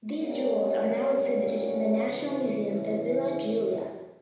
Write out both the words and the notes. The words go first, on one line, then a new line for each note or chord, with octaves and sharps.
These jewels are now exhibited in the National Museum of Villa Giulia.
G3 A#3 C#4
E2 C#3 E3